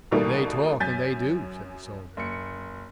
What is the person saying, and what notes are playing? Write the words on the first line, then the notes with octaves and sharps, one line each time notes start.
"They talk--and they do," said the soldier.
A#1 B2 D#3 G3 A3 A#3
F#2 G#5 G6 A6 B6
F#1 C#7